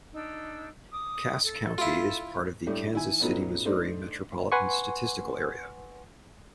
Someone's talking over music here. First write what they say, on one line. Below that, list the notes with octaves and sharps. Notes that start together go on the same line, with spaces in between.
Cass County is part of the Kansas City, Missouri Metropolitan Statistical Area.
D4 D#4 E6
D6 D#6
A4
E4 F4
A2 G3 A3 D4
D#3 E4 G#5
A#2 F#3 A3 B3 C#4 D#4
A3 D4 D#4 C5
B4 F#5 G#5 C6 C#6